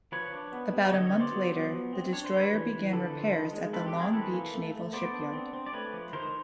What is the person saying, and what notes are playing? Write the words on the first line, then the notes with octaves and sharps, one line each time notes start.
About a month later, the destroyer began repairs at the Long Beach Naval Shipyard.
F3 B4 C#5
D4
B3
G3
D3 C#5 D#5
C#5 D#5
B3
C5 D5
F#3
B3
F3
C4
D4 C#5
C5
G3 B4 C#5
E3
E3
D3 A4 B4
F3
D#3
G#3
C4 A4 B4
G4 A4
C4
G#4 A#4
E3 A4 B4
A#3
A3
A3
B3 C5 D5
D4
C4
C4
D5
A3 B4 C#5
F3
D#3 A#4 C5